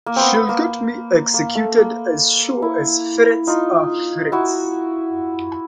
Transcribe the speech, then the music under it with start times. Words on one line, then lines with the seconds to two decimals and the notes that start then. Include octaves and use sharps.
She’ll get me executed, as sure as ferrets are ferrets!
0.06 A#3
0.16 B3 C4
0.34 B3
0.49 A#3
1.34 A#3
1.55 A3
1.78 A#3
2.62 E4
3.47 D#4 F4
4.32 E4 F#4